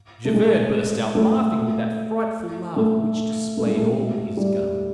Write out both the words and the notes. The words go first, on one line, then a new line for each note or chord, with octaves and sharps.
Javert burst out laughing with that frightful laugh which displayed all his gums.
A3
G#3
A3
A3
A3
G#3
A3
G3